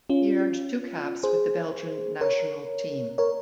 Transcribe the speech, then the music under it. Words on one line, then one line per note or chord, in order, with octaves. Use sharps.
He earned two caps with the Belgian national team.
C#4 F4
G#4 C5
A#4 C#5
A#4 C#5